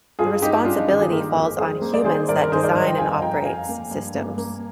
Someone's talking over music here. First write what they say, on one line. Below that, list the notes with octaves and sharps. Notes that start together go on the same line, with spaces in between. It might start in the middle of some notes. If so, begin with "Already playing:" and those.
The responsibility falls on humans that design and operates systems.
G2 F4 G#4
G2 D#4 G4
G2 D4 F4
D#4
D#3 D#4 G4
F4 G#4
A#3 G4 A#4
F2
G3 G#4 C5
A#3
D5
D#3 G#4 C5
G2 A#4 D5
A#4
D#3 G#4 C5
A#4 D5
G2 C5 D#5
D#5 G5
F2 F5 G#5
F2 G5 A#5
A#5
F2 F5 G#5
A#3
G2
A#3
A#3